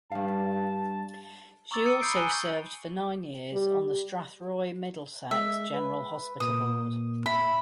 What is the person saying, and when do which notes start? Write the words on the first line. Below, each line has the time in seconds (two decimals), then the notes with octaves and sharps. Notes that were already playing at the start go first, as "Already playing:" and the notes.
She also served for nine years on the Strathroy Middlesex General Hospital Board.
0.12 G2 G3 F5 A5
1.71 A#5 C#6 D6 E6 A6
1.85 D#6 E6 C#7 D#7
2.01 B5 C#6 D#6 G6 C7 D7
2.16 G#5 A#5 F#6 C#7 D#7 G7
3.53 G3
5.31 G#3 E5
5.74 B4
6.40 A#2 D#6
7.26 E5 B5